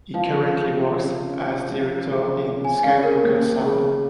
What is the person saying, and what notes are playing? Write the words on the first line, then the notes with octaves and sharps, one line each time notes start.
He currently works as director in Skywalker Sound.
F3 F5
C#3
C#3
C#4
F3
C#3
C#4
G#5
C#4 F5
A#4
D#2
C#3